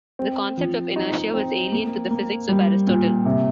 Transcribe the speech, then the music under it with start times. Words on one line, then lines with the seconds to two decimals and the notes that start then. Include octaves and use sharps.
The concept of "inertia" was alien to the physics of Aristotle.
0.19 C4
0.58 F3
0.96 D#4
1.34 C4
1.72 A#3
2.11 A#3
2.49 G3
2.87 A#2
3.25 C3